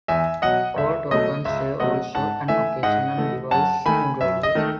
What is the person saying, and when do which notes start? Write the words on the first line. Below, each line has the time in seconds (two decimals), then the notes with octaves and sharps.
Cold opens were also an occasional device in radio.
0.08 E2 E5 G#5
0.42 B2 F#3 D#5 F#5
0.76 C#2 E5
1.11 B2 F#3 A3 D#5
1.45 C#2 E5
1.80 B2 F#3 A3 D#5 F#5
2.15 G#2 F#5 A5
2.48 E3 A3 E5 G#5
2.83 G#2 D#5 F#5
3.17 E3 A3
3.51 F#2 F#5 A5
3.86 D#3 A3 G#5 B5
4.21 F#2 E5
4.43 D#5
4.55 D#3 A3